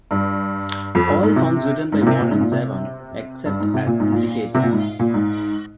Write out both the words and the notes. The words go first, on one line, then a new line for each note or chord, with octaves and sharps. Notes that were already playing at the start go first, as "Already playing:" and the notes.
All songs written by Warren Zevon except as indicated.
G2
F2
G2
G#2
C3
G#2
A#2
C3
A#2
G#2
A#2
C3
G2
G#2
C3
A#2
G#2
A#2
C3
A#2
G#2
A#2
G#2